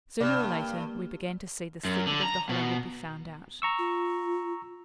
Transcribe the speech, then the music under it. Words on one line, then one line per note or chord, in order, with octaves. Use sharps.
Sooner or later we began to see the secret of the Hollow would be found out.
G2 C3 D5
A#3
F#2
D3
A#5
B2
A#5 C#6 E6
F4